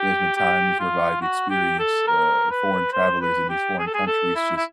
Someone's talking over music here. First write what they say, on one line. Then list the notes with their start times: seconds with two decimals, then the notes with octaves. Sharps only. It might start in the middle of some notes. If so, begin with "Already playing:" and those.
There's been times where I've experienced, uh, foreign travelers in these foreign countries just
Already playing: G4
0.36 G4
0.80 F4
1.22 F#4
1.50 G4
1.79 A4
2.07 A#4
2.51 B4
2.93 C5
3.21 B4
3.49 G4
3.79 G#4
3.86 A4
3.94 G#4
4.07 A4
4.35 E4
4.56 E4